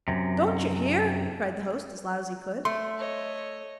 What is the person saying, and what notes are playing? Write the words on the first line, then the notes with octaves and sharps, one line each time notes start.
'Don't you hear?' cried the host as loud as he could.
F#2 C3
A3 C6
C#5 D#5